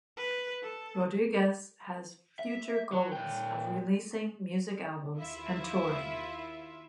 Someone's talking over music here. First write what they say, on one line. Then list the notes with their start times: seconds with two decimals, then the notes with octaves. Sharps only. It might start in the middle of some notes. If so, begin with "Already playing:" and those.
Rodriguez has future goals of releasing music albums and touring.
0.17 B4
0.63 A4
2.39 E5
2.92 F#3
3.12 A#2 G5
5.17 D#2 E4 F4 E5